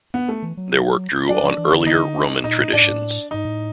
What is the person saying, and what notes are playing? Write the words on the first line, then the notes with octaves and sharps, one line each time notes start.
Their work drew on earlier Roman traditions.
B3
A3
E3
F#3
F#3 D4
F3
E3
D3
D#4
A#2 D#4
A2 D4
G#2
A2
G#2 D#4
A2